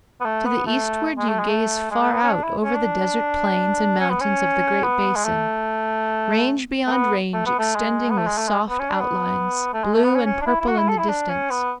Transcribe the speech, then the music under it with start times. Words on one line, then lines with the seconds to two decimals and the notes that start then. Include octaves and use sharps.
To the eastward you gaze far out over the desert plains and mountains of the "Great Basin," range beyond range extending with soft outlines, blue and purple in the distance.
0.20 B3
0.25 A3
0.45 B3
0.66 A3
1.18 G#3
1.29 A3
1.39 G#3
1.49 A3
1.91 G#3
2.01 A3
2.12 B3
2.23 C#4
2.33 D4
2.43 E4
2.64 C#4
2.75 D4
4.00 C#4
4.10 B3
4.21 C#4
4.83 B3
5.16 G#3
5.25 A3
6.87 A3
6.91 B3
7.33 A3
7.46 B3
7.59 A3
7.75 G#3
8.10 B3
8.17 A3
8.27 G#3
8.38 A3
8.48 G#3
8.69 B3
8.79 C#4
8.90 D4
9.01 B3
9.74 A3
9.84 G#3
9.94 A3
10.04 B3
10.15 C#4
10.25 C#4
10.41 D4
10.46 E4
10.61 E4
10.67 F#4
10.77 E4
10.88 A4
10.98 E4
11.09 D4
11.29 C#4
11.50 B3